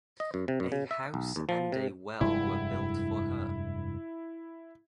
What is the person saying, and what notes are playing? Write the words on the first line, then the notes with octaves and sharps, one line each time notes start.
A house and a well were built for her.
D#5
F#2
C3
F#2
C#3
E5
B1
D#2
F3
C3
F1 G2 G#3 E4